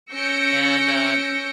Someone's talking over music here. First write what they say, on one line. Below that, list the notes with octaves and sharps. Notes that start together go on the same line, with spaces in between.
and, uh, m
C#4 E6 G6 A#6 C#7 D7